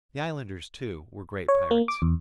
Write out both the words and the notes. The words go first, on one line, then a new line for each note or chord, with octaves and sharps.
The islanders, too, were great pirates.
C#5
A#3
D6
E2